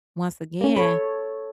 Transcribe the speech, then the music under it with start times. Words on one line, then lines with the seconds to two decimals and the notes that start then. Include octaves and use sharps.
once again
0.61 A#3 C#4
0.76 A4 C#5 B5